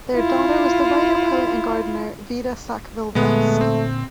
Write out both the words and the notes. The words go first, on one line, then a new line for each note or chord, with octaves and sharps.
Their daughter was the writer, poet and gardener Vita Sackville-West.
E4 F4
A#2 D3 G#3 A3 B3
C4